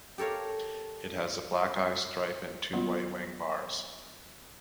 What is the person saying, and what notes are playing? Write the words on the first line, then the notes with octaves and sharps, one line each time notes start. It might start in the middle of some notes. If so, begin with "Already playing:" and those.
It has a black eye stripe and two white wing bars.
G4 A4 A#4 C#5 F5
D#3 F#3 G3 A#3 B3 F4